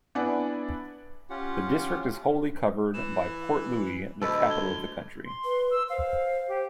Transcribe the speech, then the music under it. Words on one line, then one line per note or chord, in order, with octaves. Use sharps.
The district is wholly covered by Port Louis, the capital of the country.
B3 D4 E4 D5 F#5 G#5
C#4 F4 G4 F#5
E3 E7
D2 A4 B4 D#5 E6
G#6 G7
C6
B4
E6
C5 F5
G4